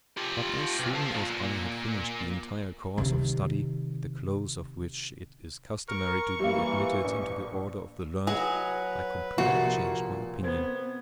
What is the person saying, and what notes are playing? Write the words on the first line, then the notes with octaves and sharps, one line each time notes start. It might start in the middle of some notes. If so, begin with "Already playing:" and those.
But as soon as I had finished the entire course of study, at the close of which it is customary to be admitted into the order of the learned, I completely changed my opinion.
F4 G4
B1
F5 A5
A#2
C3 D#3
A#4 C#6
E3 G3 A#3
A#1
F#3 G#4 B4 D#5
C2 A#2 F3 F#4 C7
B3 C4 C5 G#6